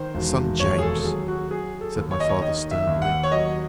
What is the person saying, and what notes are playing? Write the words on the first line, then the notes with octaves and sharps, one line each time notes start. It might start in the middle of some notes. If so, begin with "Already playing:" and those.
Son James! said my father sternly.
Already playing: D#3 C5
E1
D#2 C#5
G#4
A4
A4
F#3 G#4
F#4
F#3 G#4
A4
D#2
C#5
D#5
C#5
D#3 D#5
E5
D#2
F#5
C#5
F#3 D#5